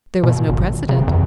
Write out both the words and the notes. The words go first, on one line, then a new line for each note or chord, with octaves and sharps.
There was no precedent.
B2
G#1
C#3
F2